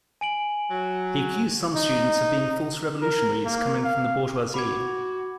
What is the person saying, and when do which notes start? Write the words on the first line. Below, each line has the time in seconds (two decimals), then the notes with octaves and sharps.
He accused some students of being "false revolutionaries" coming from the bourgeoisie.
0.21 G#5 D7 F#7
0.71 F#3
1.75 D#4
3.02 A#4
3.45 A#3
3.84 F5
4.54 F#4 B5 D6 G#6